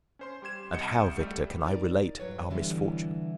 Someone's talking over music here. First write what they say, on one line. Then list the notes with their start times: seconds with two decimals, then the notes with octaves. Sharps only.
And how, Victor, can I relate our misfortune?
0.19 C#4 C5 C6
0.42 G3 G4 C6 G#6 E7
0.74 C2 D#5 F#5 G6 C#7 E7
1.16 G3 A3
1.64 D#4 A#4 D5
2.20 G2 F#3 B4 C#5
2.50 D3 E3 G3 B3